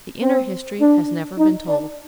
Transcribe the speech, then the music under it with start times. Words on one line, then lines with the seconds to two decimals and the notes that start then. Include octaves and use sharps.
The inner history has never been told.
0.22 C4
0.81 D4
1.39 D#4
1.68 D4